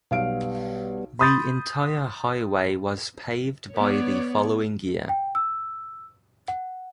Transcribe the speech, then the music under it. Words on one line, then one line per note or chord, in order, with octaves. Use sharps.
The entire highway was paved by the following year.
B1 G3 B3 F5 D7
B5 C6 D#6 G6 A6
B3 C#5 D5
G5
E6
F#5